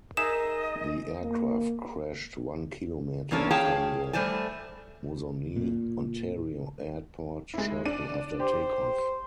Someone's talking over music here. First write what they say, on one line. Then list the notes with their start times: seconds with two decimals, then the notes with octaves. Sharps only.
The aircraft crashed one kilometre from the Moosonee, Ontario airport, shortly after take-off.
0.17 D#4 G#4 A#4 D#5 E5 E7
1.21 A#3
3.31 E2 A#3 C#4 D4 A4
3.51 G#4 C#5 F5 G5 A5
4.13 G3 A3 C5 D5 G#5
5.56 A#2
7.54 G#3 E4
7.86 D4 D#7
8.40 G4 C5